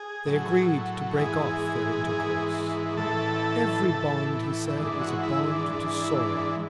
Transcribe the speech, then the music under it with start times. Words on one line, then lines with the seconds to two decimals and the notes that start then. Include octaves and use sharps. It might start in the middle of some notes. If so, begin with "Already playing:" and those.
They agreed to break off their intercourse: every bond, he said, is a bond to sorrow.
Already playing: G#4
0.26 A2 F#3
1.16 G#2 E3 G#4
2.07 G#2 E3
2.97 A2 E3 A4
3.89 A2 E3
4.78 G#2 E3 D4
5.01 F#4
5.23 E4
5.47 D4
5.69 G#2 E3 D4
6.04 E4
6.14 D4